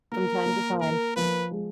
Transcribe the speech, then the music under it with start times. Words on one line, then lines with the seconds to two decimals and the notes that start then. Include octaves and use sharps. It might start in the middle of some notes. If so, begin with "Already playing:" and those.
from time to time,
0.12 A#3 A#4
0.46 A#3
0.81 A#3 A#4
1.16 F3 B4
1.51 G#3